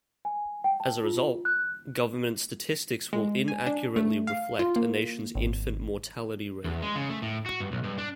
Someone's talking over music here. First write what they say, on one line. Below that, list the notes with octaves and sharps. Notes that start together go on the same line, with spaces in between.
As a result, government statistics will inaccurately reflect a nation's infant mortality rate.
G#5
G5
A5
F4
F#6
G#3
G#5
D4
A3
F5
F4
A#3
G#1
E2
G#3
C#3
A3
A2
F#4
G2
B1
G2
D4